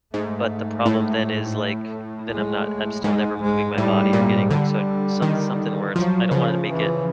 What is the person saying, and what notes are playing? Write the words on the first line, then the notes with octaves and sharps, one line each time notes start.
but the problem then is, like, then I'm not I'm still never moving my body or getting so some something where it's I don't wanna make it,
G#2 A3
A2
G#3
G#2 G#3
G#3
A2 G3
A#2
D3 G3
D#3
F3 F#3
C#3 F3
E3